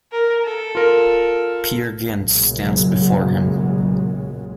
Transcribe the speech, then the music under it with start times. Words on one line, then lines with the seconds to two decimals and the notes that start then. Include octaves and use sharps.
Peer Gynt stands before him.
0.12 A#4
0.45 A4
0.75 F4 A#4
2.15 B1 F#2 A#2 C#3 F#3 G#3